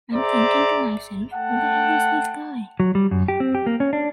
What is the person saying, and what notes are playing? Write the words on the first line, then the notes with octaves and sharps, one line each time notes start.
I'm thinking to myself, 'Who the hell is this guy?
G#4 C5 D5 E5 A#5
A3 F#5 G5 A5
F#3
G3
F#2
G4
C4
G4
A#3
C#4
D4